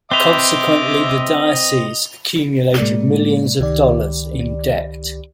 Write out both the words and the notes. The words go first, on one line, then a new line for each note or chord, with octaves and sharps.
Consequently, the diocese accumulated millions of dollars in debt.
C4 B4 C5 D#5 E5 D6 F7 G7
A2 G#3 A#3 D5
C#2 D#3 G4 D5